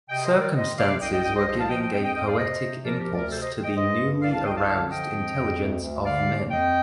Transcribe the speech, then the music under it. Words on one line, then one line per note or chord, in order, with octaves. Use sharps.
Circumstances were giving a poetic impulse to the newly-aroused intelligence of men.
C3 D#5 G5
C5 D#5
D#3
A#4 D5
D#3 C5 D#5
C3 D5 F5
C2 D#5 G5
D#5 G5
C2 D#5 G5
C5 D#5
F3 C5 D#5
F5 A5
F3 D#5 G5
D#5 G5
F2 D#5 G5
D#5 G5
F2 D#5 G5
D5 F5
C3 C5 D#5
C3
F3 A#4 D5
G4 A#4
D2
A#4 D5
C3 A4 C5
C5 D#5
D#3
D#5 G5
G2 C5 D#5
G2
C2 D5 F5
F5 A5
C2 D#5 G5
F5 A5
D3 F5 A5
F3 D#5 G5
F2
F2
D2
D2
D3 D5 F5
D#2
F2 D#5 G5